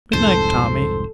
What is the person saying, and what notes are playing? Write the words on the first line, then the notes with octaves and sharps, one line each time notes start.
Good-night, Tommy!'
C2 F2 G#2 A4 C5